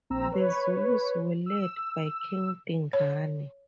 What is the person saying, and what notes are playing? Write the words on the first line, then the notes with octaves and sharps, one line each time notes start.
The Zulus were led by King Dingane.
A#1 C4 A#5 E6
B4 C#5
E6
C#5